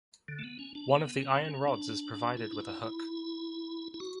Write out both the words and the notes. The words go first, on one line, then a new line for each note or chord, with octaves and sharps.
One of the iron rods is provided with a hook.
D3
A3
B3
C#4
D4
B3
B3
C#4
C#4
D4
D4
E4
D4
E4
E4
E4
F#4